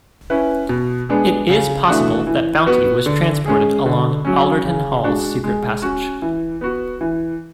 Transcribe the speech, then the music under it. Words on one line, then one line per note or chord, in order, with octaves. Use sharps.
It is possible that bounty was transported along Alderton Hall's secret passage.
C#4 E4 B4
B2
G#3 B3 D4 G#4
C#3
E3 A3 D4 F#4
E3
B3 F#4 B4
D3
G#3 C#4 G#4
D3
F#3 C#4
C#3
G#3 D4 F#4
G#3
C#4 F#4
E3
B3 F#4
E3